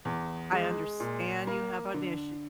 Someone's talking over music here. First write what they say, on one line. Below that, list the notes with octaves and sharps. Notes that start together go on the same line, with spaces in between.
"I understand you have an issue.
E2
G#3
A#2
A#3
D3